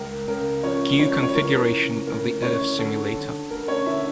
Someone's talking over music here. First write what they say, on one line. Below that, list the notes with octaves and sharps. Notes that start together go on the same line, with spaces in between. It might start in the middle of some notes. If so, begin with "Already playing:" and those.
Queue configuration of the Earth Simulator.
Already playing: C#2 A#4
C#3 A#4
F3 C#4 C#5
F3 C#4 C#5
C#5
E3 A#4
C#3
D2 A#4
E3 C#4 C#5
D3 A4
D3
D2 A#4
C#4 C#5
D3 E4 E5